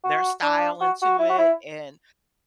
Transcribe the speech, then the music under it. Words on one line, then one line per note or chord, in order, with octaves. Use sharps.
their style into it, and,
F#4
D4
F#4
F#4
E4
F#4
E4